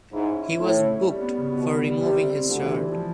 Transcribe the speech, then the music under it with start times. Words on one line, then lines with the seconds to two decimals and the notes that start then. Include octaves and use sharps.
He was booked for removing his shirt.
0.13 G#2 E4
0.29 C#4
0.44 E4
0.59 A2 A3
0.75 A3
0.90 C#4
1.06 G3
1.21 B3
1.37 C#3
1.52 B2 B3
1.68 B3
1.84 G3
1.99 C3 G3
2.14 C4
2.30 C4
2.45 D2 D3 G3
2.61 E3
2.77 E3
2.92 F3